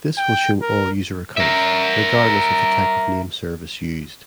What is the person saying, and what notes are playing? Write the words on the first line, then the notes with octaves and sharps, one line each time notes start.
This will show all user accounts, regardless of the type of name service used.
G5
A#4
A#4 E5